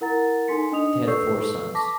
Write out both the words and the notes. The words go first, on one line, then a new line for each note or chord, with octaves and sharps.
They had four sons.
E4 A#4 F#5 A#5 A6
D#4 A4 G#5 C6 B6 C#7
D4 D#5 D#6 F7
A4 B4 C#6 E6 G6 C7
A5 C#6 D6 A#6 B6